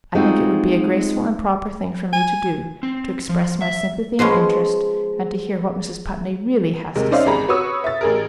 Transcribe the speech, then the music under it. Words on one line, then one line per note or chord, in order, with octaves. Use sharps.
I think it would be a graceful and proper thing for me to do, to express my sympathy and interest, and to hear what Mrs. Putney really has to say.
G#3 A3 C4 D#4 F4 F#4
G#5
C4
F3
E5
F3 G#3 B3 C#4
D#2 C3 G#3 A#4
C#4 D#4 C5 D5 E5 F5
G#1 G#4 A#5 B5
F#4 B4 C#5 C#6 D#6 E6
E5 A6
A1 G#4 A#4